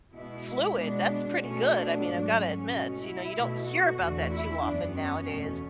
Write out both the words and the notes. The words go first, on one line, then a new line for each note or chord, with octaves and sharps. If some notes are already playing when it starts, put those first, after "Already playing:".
fluid, that's pretty good. I mean, I've gotta admit, you know, you don't hear about that too often nowadays.
B2 G#3 B3 E4
B2 G#3 B3 D4
B2 A3 C#4
D4
G#2 F#3 A3
C#4
B2 A3
E4
B2 A3
F#4
E2 D3 A3
E4
F#2 E3 B3 D4
C#4
E2 B2 A3